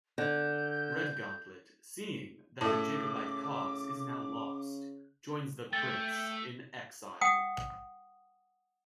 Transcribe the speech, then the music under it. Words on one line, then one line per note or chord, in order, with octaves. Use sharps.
Redgauntlet, seeing that the Jacobite cause is now lost, joins the Prince in exile.
D3 G6
A2 C#3 A3 A5 D6
A3 G5 A6
F#5 G5 D#6